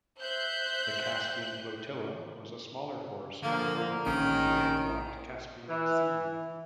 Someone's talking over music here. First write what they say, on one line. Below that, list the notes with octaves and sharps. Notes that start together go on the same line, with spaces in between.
The Caspian Flotilla was a smaller force operating in the land-locked Caspian Sea.
C5 E5 F#6 G6
D3 F3 A#3
A#1 D#3 C#4 D7
E3